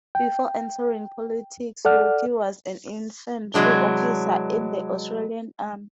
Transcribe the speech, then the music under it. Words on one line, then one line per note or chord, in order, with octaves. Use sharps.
Before entering politics Wilkie was an infantry officer in the Australian Army.
G5
A4 D5 F#5 F6
C3 E3 F#3 G#3 D4